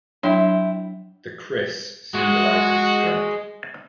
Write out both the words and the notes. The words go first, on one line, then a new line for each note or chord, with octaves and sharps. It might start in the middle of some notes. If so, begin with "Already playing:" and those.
The kris symbolyzes strength.
F#3 D4 E4 C#5 G5 C6
G#3 F#4